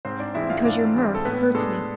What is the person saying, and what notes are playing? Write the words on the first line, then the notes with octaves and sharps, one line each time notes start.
"Because your mirth hurts me."
G#2 C4 C5
D4 D5
E3 G#3 C4 E4 E5
F4 F5
G#2 D4 D5
E3 G#3 C4
A4
A2 B3 B4
G#3 D4 A4